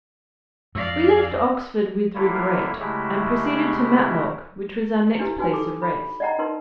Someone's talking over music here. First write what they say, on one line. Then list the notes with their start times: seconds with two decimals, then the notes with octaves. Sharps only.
We left Oxford with regret and proceeded to Matlock, which was our next place of rest.
0.75 F2 D5 F5 E6 A#6
2.15 D3 G3 A#3 E4 F4 C#5
2.80 C#3 F#3 G#3 A3 E4 G4
5.19 D4 E4 G4 B4
5.38 D#4 F#4 B4 G#5
5.52 A4 D6
5.82 B5
6.20 D5 D#5 F#5 G5 A#5
6.38 D#4 A#4 B4 C6